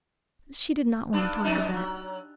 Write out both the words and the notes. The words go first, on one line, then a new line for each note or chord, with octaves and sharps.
She did not want to talk of that.
G2 D4
F2 D4 D#4
F#3